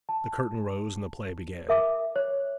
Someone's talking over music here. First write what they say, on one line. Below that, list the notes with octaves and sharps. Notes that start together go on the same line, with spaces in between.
The curtain rose and the play began.
A5
A#4 E5 D6
C#5